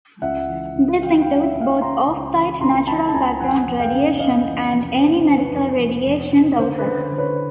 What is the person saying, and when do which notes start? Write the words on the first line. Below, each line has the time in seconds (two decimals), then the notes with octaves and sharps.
This includes both offsite "natural background radiation" and any medical radiation doses.
0.22 C#2 E5 F#5
0.48 E3
0.75 C#2
1.02 E3 F5 G5
1.22 F5 G5
1.28 C#2
1.42 E5 F#5
1.55 C#2
1.61 F5 G5
1.81 C#3 A#5 C6
2.08 C#2
2.34 E3
2.61 C#2 A#5 C6
2.87 E3 A5 B5
3.08 A5
3.14 C#2 G#5 A#5
3.40 F2 F#5 G#5
3.67 F1
3.80 F5 G5
3.94 C#3
4.19 C#3 D#5 F5
4.46 E3
4.73 F1
4.99 C#3 C5
5.26 E3
5.39 B4
5.53 F2
5.79 F1
6.06 F1
6.32 C#3
6.59 D3 C5
6.78 B4
6.85 D3
6.98 C5
7.12 D3
7.18 B4 C#5